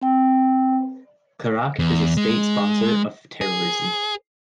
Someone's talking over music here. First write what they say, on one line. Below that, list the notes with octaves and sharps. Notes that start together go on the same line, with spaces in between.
Qurac is a state sponsor of terrorism.
C4 G5
E2
G#3
G#4